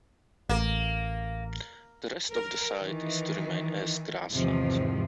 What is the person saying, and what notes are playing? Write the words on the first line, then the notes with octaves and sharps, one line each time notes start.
The rest of the site is to remain as grassland.
A1 A#3
A#4
D#3 E3
E2 G#2 C3 D#3 F3